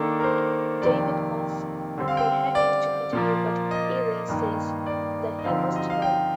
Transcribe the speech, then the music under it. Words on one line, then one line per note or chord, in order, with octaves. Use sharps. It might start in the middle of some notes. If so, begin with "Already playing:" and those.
David wants the hanging to continue but Eli says that he must know.
Already playing: D#3 A#3 D4 A4
A#4
C5
F2 C3 D#3 A#3 D5
D3 G3 C4
F5
G5
D5
A#2 F3 A#3
D#5
G2 D#3 A#3
D5
D#5
D3 F3 C4 D#4 F5
D#5
F5
G5